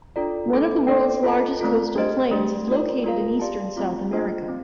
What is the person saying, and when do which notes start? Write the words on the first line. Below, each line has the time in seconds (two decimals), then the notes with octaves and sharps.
One of the world's largest coastal plains is located in eastern South America.
0.16 D4 F4 A4 D5
0.52 A3 D#4 A4
0.87 A#3 D4 A4 D5 G5
1.24 F4 A4 D#5 A5
1.60 A3 C4 F4 A4
1.96 D4 G4 C5 D#5
2.31 A3 D4 G4
2.68 D4 F4 A#4 D5
3.04 A#3 F4 A#4 F5
3.40 G4 D5 F5 A5
3.76 A3 C4 F4
4.12 A#3 D4 F4 C5 D#5
4.48 C4